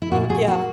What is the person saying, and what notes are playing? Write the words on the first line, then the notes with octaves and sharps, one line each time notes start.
Mm, yeah.
E4
A#2 F#4
A#2 G#4
A#3 F#4